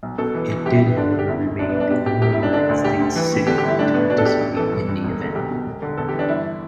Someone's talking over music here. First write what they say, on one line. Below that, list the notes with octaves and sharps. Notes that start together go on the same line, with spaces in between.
It did, however, remain the only United States city to participate in the event.
B1
B2 A4
E3
E3
G1 G4
E4
G1
B3
D3 D4
D3
G4
E2 E4
E1
G1 D4
B3
G1
D4
B2 G4
B2 G4
E1 G4
E4
E1
D4
D3 D4
D2
D2 G4
D2
E3
A2
D3 G4
G4
G1
E4
A2 D4
A2 B3
B2 D4
A4
B2 G4
A1
E3 A4
G2
G2
E1
D3
B1 G4
B2
E1
D3
E2 A4
G4
E3
D4
G1 E4